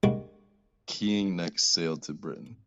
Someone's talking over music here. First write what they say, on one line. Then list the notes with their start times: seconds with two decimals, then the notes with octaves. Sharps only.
"Keying" next sailed to Britain.
0.03 G3 G#3 A#3 D4 F#4